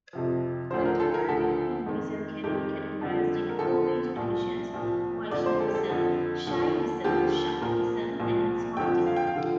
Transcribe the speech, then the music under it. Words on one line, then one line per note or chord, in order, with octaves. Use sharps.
Contemporary Hinduism can be categorized into four major traditions: Vaishnavism, Shaivism, Shaktism, and Smartism.
F2 C3 F3
D2 D3 F3 C5
A#4
A4
A#4
D2 D3 F3 A4
F2 D#3
F2 D#3 G4
F2 D3 F3
A#4
F2 D3 F3 A4
C2 A#2 F3
C2 A#2 F3
F2 D3 F3 D5
C5
A4
G4
A4
F2 D3 F3
D#2 D3 F3
D#2 D3 F3 G4
C2 A#2 F3 A#4
C2 A#2 F3
F2 D3 F3 G5
F5
G5
F5
D3 F3